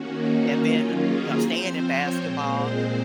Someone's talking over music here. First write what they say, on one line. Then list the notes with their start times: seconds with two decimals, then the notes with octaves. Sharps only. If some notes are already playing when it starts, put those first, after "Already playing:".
and then, uh, you know, staying in basketball,
Already playing: D#3 A#3 C#4 F#4
0.17 D#4
0.56 D#3 F#3 A#3 C#4 F4
0.97 G#4
1.37 F3 C4 C5
1.77 C#5
2.17 A#2 G#3 C4 C5
2.57 C5